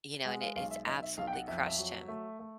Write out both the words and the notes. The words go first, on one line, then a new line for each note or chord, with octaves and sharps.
You know, and it it's absolutely crushed him
G#3 F#5
F5
B1 F5
E5
B1 D#5
E5
B1 F5
G5
F#5
F2 E5
F5
E5
F#3
A3
A3